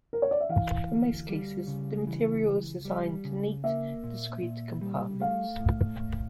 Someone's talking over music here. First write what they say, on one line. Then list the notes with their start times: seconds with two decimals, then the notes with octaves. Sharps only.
In most cases, the material is assigned to neat, discrete compartments.
0.13 A#4
0.22 C#5
0.31 D5
0.40 E5
0.49 E3 F5
0.89 D2
1.29 G3
1.67 C#3
2.07 E3
2.46 C#2
2.85 G3
3.24 C#3
3.64 A#3 E5
4.04 A#2
4.42 A#2
4.81 G3
5.20 A3 F5
5.60 A2
5.99 A2